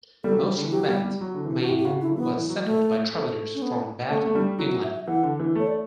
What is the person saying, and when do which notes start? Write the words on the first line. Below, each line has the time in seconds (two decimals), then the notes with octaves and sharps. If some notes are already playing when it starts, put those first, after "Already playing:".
Most of Bath, Maine, was settled by travelers from Bath, England.
0.24 G3 A4
0.32 F#3
0.39 G3
0.57 D3
0.64 E3
0.72 F#3 G4
0.89 G3
1.05 G3
1.21 F#3
1.35 D3
1.45 E3
1.61 F#4
1.69 A2 G4
1.79 G4
1.85 C#3 F#4
2.01 D3 E4
2.10 F#3
2.17 E3 B3
2.33 E3
2.49 F#3
2.65 A3
3.13 A3
3.55 C#4
3.62 B3
4.10 A3 C#4
4.26 A3
4.35 G3 D4
4.58 F#3 E4
4.71 F#4
4.83 E5
4.95 E5
5.07 E3 F#5
5.23 D3
5.40 E3
5.55 A3 C#5
5.67 D5